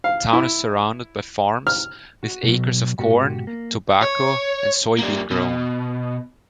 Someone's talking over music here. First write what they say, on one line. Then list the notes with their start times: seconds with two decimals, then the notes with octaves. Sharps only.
The town is surrounded by farms, with acres of corn, tobacco and soybean grown.
0.04 F5
0.33 E4
1.67 F6
2.23 F#4
2.43 B2 F#3
2.99 G#2 B2 F#4 G4
3.47 A#3
4.02 C#5
4.99 G3 A#3
5.31 B2